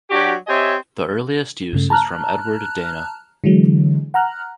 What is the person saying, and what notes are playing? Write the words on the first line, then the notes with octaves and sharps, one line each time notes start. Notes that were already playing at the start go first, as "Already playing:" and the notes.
The earliest use is from Edward Dana.
F#3 D4 F#4 G4
C4 G4 C#5 D#5 E5 G#5
G2 C#3 A3
A5 A#5 F6 F#6
D3 E3 F#3 G#3
F#5 A#5 F6 F#6